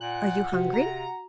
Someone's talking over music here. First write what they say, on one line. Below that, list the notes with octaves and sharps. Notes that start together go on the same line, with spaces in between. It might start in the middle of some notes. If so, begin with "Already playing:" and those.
"Are you hungry?"
A#2 F#5 F#6
C3 F#4
C3 A#5